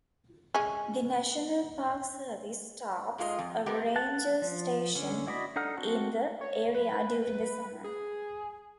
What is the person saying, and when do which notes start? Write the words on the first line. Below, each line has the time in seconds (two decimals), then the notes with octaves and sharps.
The National Park Service staffs a ranger station in the area during the summer.
0.55 G#3 C#4
3.18 G#2 G#3 F4 G#4 D#5
3.39 F2
3.66 G#3 A3 B3 G4 A#4
3.96 F#5 A5
4.42 F3
4.96 D3 C#4
5.27 E4 F#4 D5 D#5 B5
5.56 D4 D#4 A4 F#5 F6
5.77 C4 F#4 A4 C5 F#5
6.41 C#5
6.75 B4
7.84 G#4